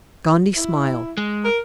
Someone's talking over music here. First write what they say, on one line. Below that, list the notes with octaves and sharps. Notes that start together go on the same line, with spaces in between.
Gondy smiled.
E4
G#3
A#4